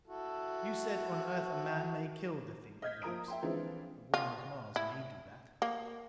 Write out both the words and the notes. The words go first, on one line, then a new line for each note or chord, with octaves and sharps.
You said, 'On Earth a man may kill the thing he loves.' A woman of Mars may do that!
E4 F#4 A4
D#5 F6 G6 G#6 B6
F3 A#3 A#5 D#6 D7
E5 G5 C6
D3 E3 F3 G#3 C4 D#4
F4
E4
A#3